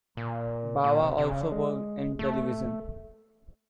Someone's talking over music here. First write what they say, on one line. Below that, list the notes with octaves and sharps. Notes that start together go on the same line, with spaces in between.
Bava also worked in television.
A#2
A#2
C3
C3
C#3
D3
G#3
A3